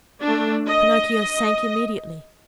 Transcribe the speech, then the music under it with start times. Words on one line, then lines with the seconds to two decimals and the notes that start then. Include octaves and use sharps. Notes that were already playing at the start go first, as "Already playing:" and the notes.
Pinocchio sank immediately.
0.23 A3 D4
0.67 D#5